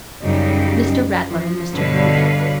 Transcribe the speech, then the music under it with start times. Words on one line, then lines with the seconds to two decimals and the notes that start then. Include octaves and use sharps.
"Mr. Rattler and Mr. Roby."
0.22 F#2 C#3 F#3 G3 D#4 G4
1.26 F3
1.73 G2 B2 D3 B4 C#5 F5